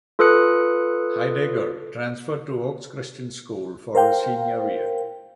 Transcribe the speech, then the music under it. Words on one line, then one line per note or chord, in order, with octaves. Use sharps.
Heidegger transferred to Oaks Christian School for his senior year.
F4 A4 B4 D#6 F#6 C#7
A#4 C5 F5 G5